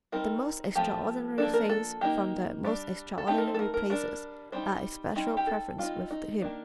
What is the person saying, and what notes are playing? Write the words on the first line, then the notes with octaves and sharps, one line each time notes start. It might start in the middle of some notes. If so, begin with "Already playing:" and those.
The most extraordinary things from the most extraordinary places are especial preferences with him.
G3 C4 D#4 A#4
F3 A3 C4 G4
F3 A#3 D4 A4
A#4
A4
D#3 A#3 D#4 G4
G3 D4
A4
A3 C4 D#4 G4
A#4
C5
A4
A#4
A#4
G3 D4 A#4
G3 C4 D#4 C5
G3 C4 D#4
G4
A4
G3 C4 D#4 F4
D#4
D#3 A#3 D4